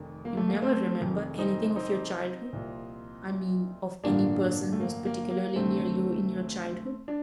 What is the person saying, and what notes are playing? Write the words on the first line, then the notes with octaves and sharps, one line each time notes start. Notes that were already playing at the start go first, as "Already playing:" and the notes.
"You never remember anything of your childhood--I mean of any person who was particularly near you in your childhood?"
Already playing: F1 F2 D#3
A#3
A3
A#3
A3 C4
F1 F2 D#3
C4 D#4
C4 D#4
C2 A#2 F3
A1 G2 D3 F3 A#3 D4
A3
A#3
A#3
A#3
D2 C3 D#3 A3 C4
D4